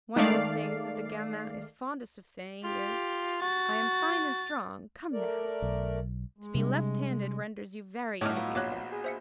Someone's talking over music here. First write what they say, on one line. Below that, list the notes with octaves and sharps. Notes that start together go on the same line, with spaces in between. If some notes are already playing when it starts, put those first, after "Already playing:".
One of the things that the gamin is fondest of saying is: "I am fine and strong, come now!" To be left-handed renders you very enviable.
D#3 G#3 A3 D5 F5 C7
F4 G4
F#4 A6
A3 A#4 D5
B1
G#3
C3 G3 D4
A2 G#3 D#4 F#4 C#5 D6 F6
B3 F4
A#1 C#5 D#5 D6 F#6
G#4
C5 E5 C#7